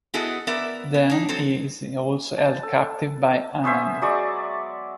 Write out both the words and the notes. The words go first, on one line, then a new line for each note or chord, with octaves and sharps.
Then he is also held captive by Anand.
B3 E4 F#4 G#4 A4 D#5
B3 A#4 D5 E5
B3
D4 D#4
F#3 C4 A4 C5
A5
A4
B3 C#4 C5 E5
F#3 G#3 D5 C#6